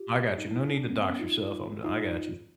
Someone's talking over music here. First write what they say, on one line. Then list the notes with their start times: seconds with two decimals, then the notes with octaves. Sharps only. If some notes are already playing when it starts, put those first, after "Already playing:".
I got you, no need to dox yourself, I'm d I got you.
Already playing: F4 G4
0.38 D#4
0.47 E4
0.56 D#4 F4
0.67 D4 E4
0.78 C4 D4
0.88 B3 C#4
0.98 A#3 C4
1.09 B3 C#4
1.20 D#4 F4
1.84 D#4 F4